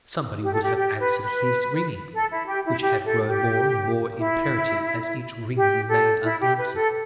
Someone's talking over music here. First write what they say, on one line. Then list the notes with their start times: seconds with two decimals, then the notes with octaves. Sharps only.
Somebody would have answered his ringing, which had grown more and more imperative as each ring remained unanswered.
0.42 G4
0.52 A4
0.62 G4
0.76 G4
0.99 B4
1.22 B4
2.13 A4
2.30 E4
2.47 G4
2.65 E4
2.81 G4
3.04 A4
3.27 G4
4.19 E4
5.56 G4
5.89 A4
6.23 E4
6.40 G4
6.58 B4
6.75 A4